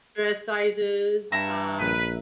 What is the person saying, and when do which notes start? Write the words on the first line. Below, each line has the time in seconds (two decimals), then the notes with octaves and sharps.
dress sizes, um,
1.32 G2 E5 A#5
1.80 A#1 B4